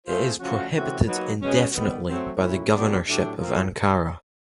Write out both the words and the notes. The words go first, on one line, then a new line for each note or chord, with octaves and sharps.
It is prohibited indefinitely by the Governorship of Ankara.
A3 C4 F4 G#4 C5
C#3 F3 A3 C#4 F#4
C3 E3 A3 C#4 F#4
F#3 A#3 D#4 F#4 B4
B2 G#3 C#4
D#3 G3 B3
F#3 A3 C4
A#2 F#3 A3 C#4 E4
A#2 F#3 B3 D4 G4
A2 F#3 A3 D4 G4
F3 A3 C4 F4 A#4